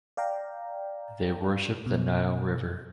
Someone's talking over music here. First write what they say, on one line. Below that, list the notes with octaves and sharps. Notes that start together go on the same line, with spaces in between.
They worship the Nile River.
D5 F5 G5 A#5
B2